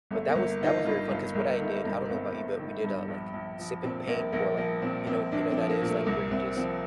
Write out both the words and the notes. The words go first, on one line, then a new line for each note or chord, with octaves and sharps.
but that was that was very fun 'cause what I did I don't know about you, but we did, uh, like, sip and paint or, like, you know you know, that is, like, where you just
G1 A3
A#3
G1
D#3 D#4
F4
G2 F4
G1 F4
G1 A#3
D#3 A3
G2 A#3
G1 C4
G1
D#3
G2
A#1
A#1
F3
A#2 C4
A#1 A#3
A#1 A#3
F3 A#3
A#2 C4
A#1 C4
A#1 D4
C4
F3
A#3
A#2
A3
C2 A#3
C2 C4
F3 C4